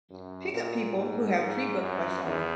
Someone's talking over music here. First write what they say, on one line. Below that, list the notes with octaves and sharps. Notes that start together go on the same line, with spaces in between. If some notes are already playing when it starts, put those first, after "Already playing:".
Pick up people who have pre-booked by phone.
F#2
A#2
G#2
G#2
F#2
E2